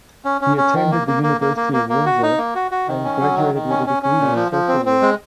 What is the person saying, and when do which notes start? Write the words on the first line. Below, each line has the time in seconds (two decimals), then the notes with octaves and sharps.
He attended the University of Windsor and graduated with a degree in social work.
0.25 C#4
0.41 C#4
0.57 C#4
0.74 D#3
0.91 A#3
1.08 A#3
1.23 A#3
1.41 A#3
1.57 A#3
1.73 A#3
1.89 A#3
2.06 F#4
2.23 D#4
2.38 A#3
2.55 F#4
2.71 F#4
2.87 D#3
3.04 C#4
3.20 F#3
3.37 D#3
3.54 D#3
3.70 C#4
3.87 C#4
4.03 C#4
4.20 A#2
4.36 F3
4.52 F3
4.68 C4
4.86 C4
5.02 G#3